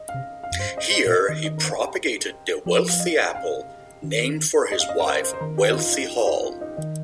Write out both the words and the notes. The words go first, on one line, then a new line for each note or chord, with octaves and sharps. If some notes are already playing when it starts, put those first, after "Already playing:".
Here he propagated the "Wealthy" apple, named for his wife Wealthy Hull.
Already playing: D#5
F5
C3
F5
F2
G2 C5
D#5
C5
D#5
A#2
D#5
D#3 D#5
D#5
A#4
C5
G4
F3 G4
F5
D#5
F5
D#3
D#5
F5
D#5
A#4
C5
C5
C5
D#3 A#4
G4
D#4
F4
F4
D#4
F4
G4
D#4
F4
D#4
D#3 D#4